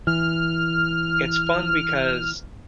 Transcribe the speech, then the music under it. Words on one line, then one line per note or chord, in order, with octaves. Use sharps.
it's fun because
E3 F6